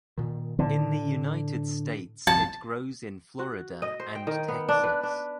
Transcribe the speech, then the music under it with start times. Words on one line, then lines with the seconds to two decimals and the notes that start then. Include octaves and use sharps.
In the United States it grows in Florida and Texas.
0.18 A#2 D#3
0.59 A2 D3 D4
2.27 G1 C2 F2 A5
3.39 F#4
3.82 D#5
4.00 C5
4.15 G5
4.27 D#3
4.48 B3
4.68 D4
4.83 B4
5.03 D4